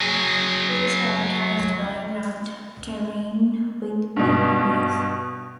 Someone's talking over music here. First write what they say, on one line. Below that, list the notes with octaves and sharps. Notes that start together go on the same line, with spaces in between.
It is characterized by rugged terrain with plain areas.
F#3 G#4
G2 B2